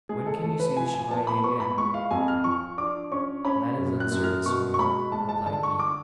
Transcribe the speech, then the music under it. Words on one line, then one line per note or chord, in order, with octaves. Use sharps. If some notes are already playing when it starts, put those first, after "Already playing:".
When can you see the Chevalier again?' 'That is uncertain, Signora,' replied he.
G#3 G#4
A4
A3 A4
B4
F3 G#5
G#5
B3 A5
B5
B3 C#6
B5
G#3 C#6
F5
F2 G#5
F6
F3 C#6
D4 D6
C#4 C#6
C#4 B5
F#2
F#6
F#2
F6
B2 C#6
C#6
G#3 B5
G#3 A5
A5
D3 A5
C#6
D6